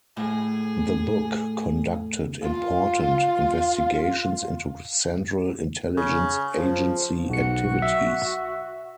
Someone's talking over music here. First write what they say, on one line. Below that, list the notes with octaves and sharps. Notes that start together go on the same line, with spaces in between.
The book conducted important investigations into Central Intelligence Agency activities.
A2 G#4
F4 F5
C#3
F3
B1 F#4 C#7
E5